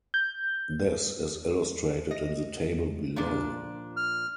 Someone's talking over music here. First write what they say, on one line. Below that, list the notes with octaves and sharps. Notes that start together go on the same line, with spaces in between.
This is illustrated in the table below.
G6
D#5
A#2 F3 D4
F6